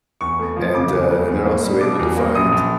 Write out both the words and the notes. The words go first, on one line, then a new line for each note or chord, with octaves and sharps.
and, uh and they're also able to find
E2 C#6
A3
F3
C#3 D6
E2
A3
E2
A#3
G3
B2 D6
E2
A#3
A#1 D#6
A#1